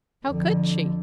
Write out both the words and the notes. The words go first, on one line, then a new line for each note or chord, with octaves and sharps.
How could she?
F2 D3